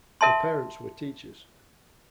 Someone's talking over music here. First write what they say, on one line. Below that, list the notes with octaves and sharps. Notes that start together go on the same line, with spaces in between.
Her parents were teachers.
A#4 E5 A5 C6